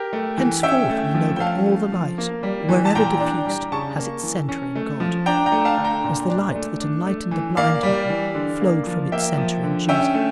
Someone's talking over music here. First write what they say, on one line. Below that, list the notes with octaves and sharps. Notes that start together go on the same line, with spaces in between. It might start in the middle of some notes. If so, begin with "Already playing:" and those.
Henceforth we know that all the light wherever diffused has its centre in God, as the light that enlightened the blind man flowed from its centre in Jesus.
Already playing: G4 A#4
A3
E3
C#4 E5 G5
A3
F3
G5
C#4 F5 A5
A3
F3
A#3
G3
E3
A5
A#2 G5 A#5
D4
G3
C#3 A5 C#6
A#3
E3
C#4
A3
F3
D4 G5 A#5
G5 A#5
A3
F5 A5
D3
G5 A#5
A#2
D4
A3
D4
A3
E3
A#3 D5 F5
G3
E3
D3
A#3
F3
A#3 E5 G5
F3
D3
C#4 E5 G5
A3